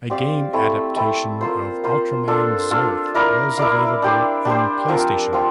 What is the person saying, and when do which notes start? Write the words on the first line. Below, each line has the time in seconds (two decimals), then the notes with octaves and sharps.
A game adaption of Ultraman Zearth was available in PlayStation.
0.10 C4 G4 D5 F5
0.53 A3 C4 E4 A4
0.96 A3 C4 E4 A4
1.41 A#3 F4 C5
1.84 A#3 F4 C5
2.28 D4 F4 A4
2.71 D4 F4 A4
3.14 E4 A#4 D5 F5
3.58 E4 A#4 D5 F5
4.02 D4 G4 C5
4.45 D4 G4 C5
4.88 F3 C4 F4 A#4
5.33 F3 C4 F4